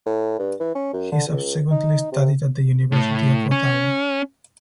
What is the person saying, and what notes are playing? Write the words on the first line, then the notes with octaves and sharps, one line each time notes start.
He subsequently studied at the University of Ottawa.
A2
G2
E3
C#4
F#2
D3
C#2
D#4
C3
A2
C#4